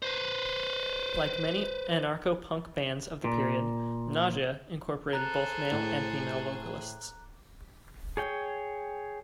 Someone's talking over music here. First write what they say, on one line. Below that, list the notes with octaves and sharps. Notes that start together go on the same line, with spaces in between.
Like many anarcho-punk bands of the period, Nausea incorporated both male and female vocalists.
B4 C5
A#2
G#4 A4 C5 A#5 F#6
A2
G#4 C#5 G5